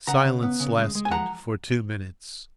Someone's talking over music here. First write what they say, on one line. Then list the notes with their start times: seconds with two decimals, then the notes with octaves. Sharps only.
Silence lasted for two minutes.
0.07 C#3 F#5 A#5
0.25 C#3
0.43 B3
0.60 C#3
0.78 G#3
0.95 G#3
1.05 G#5
1.11 F3 F#5 A#5